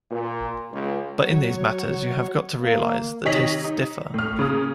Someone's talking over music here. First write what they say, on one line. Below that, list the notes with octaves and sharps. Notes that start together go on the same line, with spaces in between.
But in these matters you have got to realize that tastes differ.
A#2
C#2
F#3 C#5
A#3
C3 D#3 C#5 D#5 B6 F#7
D#4
A2 F6
C#3 A#3 D#6